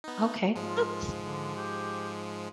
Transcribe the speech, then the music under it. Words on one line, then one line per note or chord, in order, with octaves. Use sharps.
Okay, that's
B3 D#4
G#2 F3 G#3 F4
D3
G4